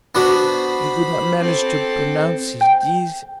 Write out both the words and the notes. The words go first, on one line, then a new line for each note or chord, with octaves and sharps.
He could not manage to pronounce his Ds.
B3 D4 F#4 C5 B5
C4 A4
G5